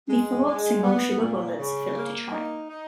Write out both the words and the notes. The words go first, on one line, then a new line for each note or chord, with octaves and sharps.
The follow-up single, "Sugar Bullets", failed to chart.
G#3
G#3
B3
A#2
C#3
A#3
D#4
D#4